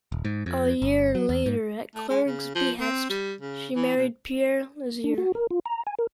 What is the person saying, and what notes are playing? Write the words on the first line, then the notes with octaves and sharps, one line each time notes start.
A year later, at Clergue's behest, she married Pierre Lizier.
D#1
G#2
F2
G1
F#3
E2
G#2
A3
G#3
C#3
F3
C4
G3
C#3
E3
B2
D4
F#4
A#4
F4
A#5
G#5
A#4